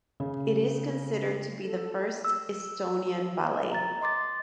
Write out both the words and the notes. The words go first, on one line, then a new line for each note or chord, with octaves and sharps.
It is considered to be the first Estonian ballet.
C#3
A4
E6
A#5 A6
D#5 C6 D6 A6